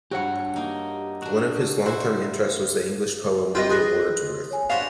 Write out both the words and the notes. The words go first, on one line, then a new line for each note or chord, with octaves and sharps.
One of his long-term interests was the English poet William Wordsworth.
G2 F#4 G4 C#5 F#5
A#3 D#4
D4 F#4
E4 F#4 C5
C4 F4 B4 D#5 G5
G#4 G#5 C6 D#6 F#6
C#5 G#5
B3 D4 F#4 C5 F5 F7